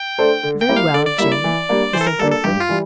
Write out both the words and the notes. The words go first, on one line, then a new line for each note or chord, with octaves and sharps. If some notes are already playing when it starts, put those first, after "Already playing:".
"Very well, Jane," he said, briefly.
Already playing: G5
A3 D4 A4 C5
D3
G5
G3 A#3 E4
F5
D3 D5
D5
G3 A#3 E4 E5
D5
E3
G3 A#3 D4
E3 C5
A4
A#4
G3 A#3 D4 A4
A4
G2 G4
F4
E3 G3